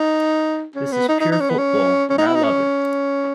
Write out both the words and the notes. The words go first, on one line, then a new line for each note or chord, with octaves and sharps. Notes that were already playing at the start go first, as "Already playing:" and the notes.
This is pure football and I love it.
Already playing: D#4
C#4
B3
D#4
D#4
D#4
C#4
B3
C#4
C#4
D#4
E4
D#4
C#4